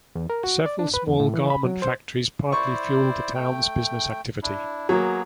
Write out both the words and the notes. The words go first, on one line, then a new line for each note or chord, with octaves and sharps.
Several small garment factories partly fuel the town's business activity.
E2
A#4
F#4
D5
D4
B4
E2
A2
E3
B5
F#3
C5
E4 C5 D5 C#6
A3 G5
D4 E4
F#3 A#3 B3 G#4